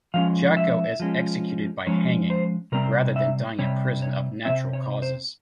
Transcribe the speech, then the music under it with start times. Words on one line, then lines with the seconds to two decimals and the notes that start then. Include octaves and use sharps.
Jacko is executed by hanging, rather than dying in prison of natural causes.
0.14 F3 G#3 C#4 F5
0.57 E5
1.00 F3 G#3 C#4
1.87 F3 G#3 C#4 C#5
2.30 C5
2.72 C3 G3 C4 A#4
3.16 E5
3.59 C3 G3 C4 C#5
4.02 C#5
4.45 C3 G3 C4 E5
4.73 C#5
5.02 C5